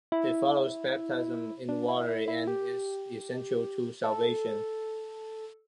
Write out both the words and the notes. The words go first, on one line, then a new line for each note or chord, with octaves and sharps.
It follows baptism in water and is essential to salvation.
E4
D4
E4
E4
E4
G4
A4